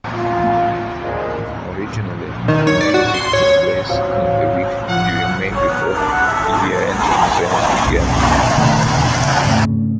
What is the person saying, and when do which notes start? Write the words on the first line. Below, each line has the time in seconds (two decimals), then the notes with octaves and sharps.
Originally May Week took place in the week during May before year-end exams began.
0.15 F4
1.03 A#2 F3 G#3
2.48 D#3
2.67 C#5
2.81 D5
2.94 F#4
3.14 C6
3.33 C#5
3.89 F#3 F4 C5
4.89 F3 F#5
5.55 C#5
5.68 B3
5.81 A#4
5.96 D4
6.12 F#5
6.27 E5
6.43 A4
7.87 B1 F2 A#2 C#3
8.56 E1 C3 D#3 A3
8.97 E2 C#3
9.45 G#2 C#3 A3 C4